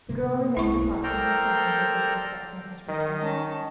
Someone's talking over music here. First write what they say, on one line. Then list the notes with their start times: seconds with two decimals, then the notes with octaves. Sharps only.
The girl remained apart from her friends, as if expecting his return.
0.09 C3 A#3
0.57 B1 E4 C#6
1.04 A4 A#4 C5 D5 G5 A#5
2.89 D#3 D#5
3.21 C#4 A5